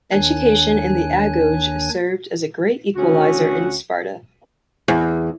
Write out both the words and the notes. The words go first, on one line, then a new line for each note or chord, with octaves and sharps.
Education in the "agoge" served as a great equalizer in Sparta.
D#2 D#3 D4 C#5 G#5 F#6
D2 C#4 F#4
E2